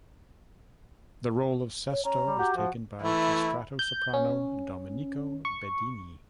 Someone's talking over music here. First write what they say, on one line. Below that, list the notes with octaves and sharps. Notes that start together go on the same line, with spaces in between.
The role of Sesto was taken by castrato soprano, Domenico Bedini.
C#5
C#4 A#5
G3
F#4 G4
F3 F#4
E3 A3 E4
G6
C#4
C#6